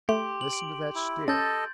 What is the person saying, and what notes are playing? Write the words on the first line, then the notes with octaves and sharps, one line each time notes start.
"Listen to that steer."
A3 G4 C6
F#7
D7
E4
C#4 A4 D#5 G6 A6